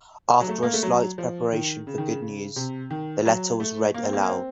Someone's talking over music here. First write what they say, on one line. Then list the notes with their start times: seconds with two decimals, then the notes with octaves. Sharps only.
After a slight preparation for good news, the letter was read aloud.
0.40 F#3
0.49 A3
0.63 A#3
0.73 A3
0.83 F#3
1.18 F3
1.53 D#3
1.87 C#3
1.98 D#3
2.09 C#3
2.21 C#3
2.56 C3
2.91 D#3
3.25 F#3
3.60 A3
3.94 A#3
4.03 C4
4.13 A#3
4.23 A#3
4.29 C4